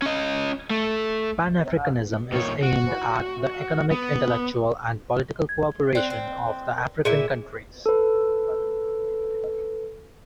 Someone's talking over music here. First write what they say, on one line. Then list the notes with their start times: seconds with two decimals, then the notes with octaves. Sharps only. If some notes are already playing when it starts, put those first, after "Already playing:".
Pan-Africanism is aimed at the economic, intellectual and political cooperation of the African countries.
0.02 C#4 D#5
0.70 A3
2.32 A#2 D#3 C#5
2.63 F#4
3.91 B3
5.49 G#6
5.95 C4 D5 F#6
6.10 C4
7.05 A#2 E4 G#4 E5
7.86 A4 B4